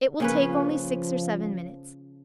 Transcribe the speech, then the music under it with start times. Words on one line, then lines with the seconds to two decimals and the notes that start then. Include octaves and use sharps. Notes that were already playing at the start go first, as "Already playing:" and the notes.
It will take only six or seven minutes.
0.20 C#3 F3 A#3 C#4 B4